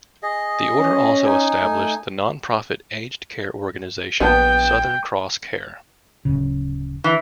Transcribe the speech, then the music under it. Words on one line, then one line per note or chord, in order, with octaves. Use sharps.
The order also established the non-profit aged care organization, Southern Cross Care.
G#4 D#5
C#4
D#4 G#5
A3
A#1 G3 A#3 B3 G5 A5
D1 C#3
E3